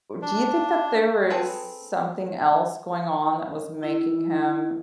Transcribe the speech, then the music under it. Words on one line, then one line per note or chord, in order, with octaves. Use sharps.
do you think that there is something else going on that was making him,
D4
C4 G#4 A4 B4 G5
E4